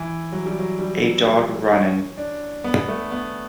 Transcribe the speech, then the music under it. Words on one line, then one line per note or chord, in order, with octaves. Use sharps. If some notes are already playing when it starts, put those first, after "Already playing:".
A dog running.
Already playing: E3
F#3
G3
F#3
G3
G3
C#4
D4
B3
A3
B3